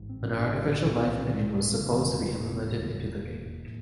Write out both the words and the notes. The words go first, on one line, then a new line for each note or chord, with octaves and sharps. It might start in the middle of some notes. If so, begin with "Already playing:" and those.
An artificial life engine was supposed to be implemented into the game.
Already playing: A1 G#2
C4
C#4
D4
C#4
C2 A#2 C4
B3
C4
G#3
G3
G#3
E1 E2 C#3 A3
E3
A3
B3
E1 D#2 C#3
A#3
A2